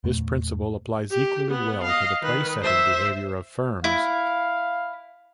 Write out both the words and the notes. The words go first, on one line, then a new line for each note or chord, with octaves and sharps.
This principle applies equally well to the price-setting behavior of firms.
E2 A#2 A3
G4
B3
D#5 F5
D#3 B4
C5 E5
E4 F5